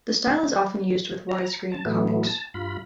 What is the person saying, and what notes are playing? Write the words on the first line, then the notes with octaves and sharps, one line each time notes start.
The style is often used with widescreen comics.
A#5
A5
A2 E3 F#3 A3 B3
A5
G2 F4 B5